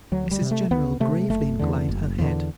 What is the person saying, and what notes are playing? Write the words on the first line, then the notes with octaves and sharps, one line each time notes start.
Mrs General gravely inclined her head.
D2 F#3
G3
C3
A3
D2 B3
C3 A3
F#1 A3
E2 D3
F#1
E2 D3